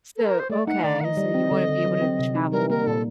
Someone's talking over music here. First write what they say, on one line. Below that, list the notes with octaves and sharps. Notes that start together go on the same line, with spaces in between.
So, okay, so you wanna be able to travel
A4
A#4
C5
A3 D5
D#4 F#5
D#3 D5
D#3 D#5 F#5
G3
C4
D3
D3
F#3
C4
C3
D#4
G3 A#4
A#3 A#4
A#2 A4